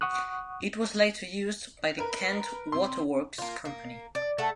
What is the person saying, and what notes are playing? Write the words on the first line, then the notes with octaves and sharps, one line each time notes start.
It was later used by the Kent Waterworks company.
F#5 C#6 D#6 F#6
A#4 B4
C3 C6
A#3 F4
A#3
D5
A3 A4 F#5